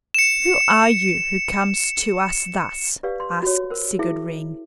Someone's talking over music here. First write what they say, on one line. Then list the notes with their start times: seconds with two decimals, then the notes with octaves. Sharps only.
"Who are you who comes to us thus?" asked Sigurd Ring.
0.14 C#7 E7
3.03 G4 B4 D5 F5
3.20 C6
3.43 F#4 C#5
3.70 A#4 C5
3.99 E4 G#4 E5